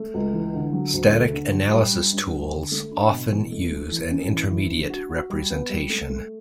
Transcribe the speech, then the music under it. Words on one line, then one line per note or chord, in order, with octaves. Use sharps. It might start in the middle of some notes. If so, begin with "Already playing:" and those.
Static analysis tools often use an intermediate representation.
Already playing: A3
C#2
E3
D3
F#3
D2
A3
D3
F#3
G3
G2
G2
G4
D3
A3
D4
B2
E2
A3
A3
E3
C#4
E3
E3
D4
F#4
F#4
G3
B3
G3
A3
A3